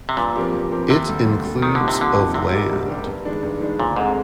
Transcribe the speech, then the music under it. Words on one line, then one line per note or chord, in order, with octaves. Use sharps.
It includes of land.
C3
G2 A#2
F3 C4 G4 A#4
G2
F3 C4 G4 A#4
D#2 C3
D3 G3
D#2
D3 G3
A#2 D#3
D3
G3 C4 D#4 G4
C3
A#2 D3
G3 C4 D#4 G4
G#2 C3
G3 D4 G4 A#4
G#2
G3 D4 G4 A#4
G2
D#3 G#3 D4
G2
D#3 G#3 D4
D2 A#2
G#2 D3 G#3 C4